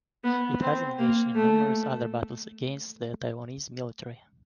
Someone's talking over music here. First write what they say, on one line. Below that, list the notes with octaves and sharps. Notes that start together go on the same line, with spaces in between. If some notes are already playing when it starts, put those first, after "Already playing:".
It has engaged in numerous other battles against the Taiwanese military.
B3
C4
A#3
A3